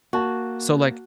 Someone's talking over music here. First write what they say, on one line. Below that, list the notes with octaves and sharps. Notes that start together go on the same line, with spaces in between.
So like
A#3 F#4 A5